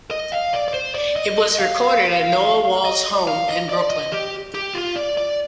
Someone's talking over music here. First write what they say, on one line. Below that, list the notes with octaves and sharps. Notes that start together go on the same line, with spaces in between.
It was recorded at Noah Wall's home in Brooklyn.
D#5
F5
D5
D5
C5
D5
D#5
F5
D#5
F5
D#5
D5
D#5
G4
G4
F4
D5
D5